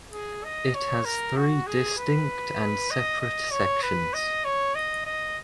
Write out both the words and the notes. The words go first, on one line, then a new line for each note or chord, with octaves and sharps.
It has three distinct and separate sections.
G#4
D#5
C#5
A#4
F#4
G#4
B4
D#5
D#5
C#5
B4
D#5
C#5
D#5
D#5